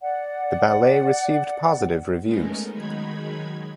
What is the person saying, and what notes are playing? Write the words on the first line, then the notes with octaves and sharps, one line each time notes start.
The ballet received positive reviews.
D5 F#5
G#3 A3 B3 C#4 D#4 A#4
D#3 F#3 G#3 D#4 B5 G#6